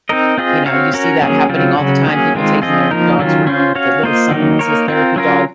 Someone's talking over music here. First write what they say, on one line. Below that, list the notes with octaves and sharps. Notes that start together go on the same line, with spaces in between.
you know, you see that happening all the time, people taking their dogs around with the little sign that says "therapy dog."
C4 D#4 A#4 D#5
C4 F4 G#4 D#5
C4 F#4 C#5 F5
C#4 F#4 A#4 C#5
F#3 A#3 C#4 G#4
C#3 F#3 C4 F4
C#3 F#3 C#4 F#4
F#3 A#3 C#4 G#4
D#3 G#3 C4 F4
F3 C4 F4 G#4 D#5
F3 A#3 D#4 A#4
D#3 F#3 C#4 F4
C#4 F4 C5
C#4 F#4 C#5 F5
A#3 F4 C5 D#5
D#3 F#3 A#3 D#4
A#3 D#4 A#4 C#5
C4 F4 A#4
F#3 C#4 F4 A#4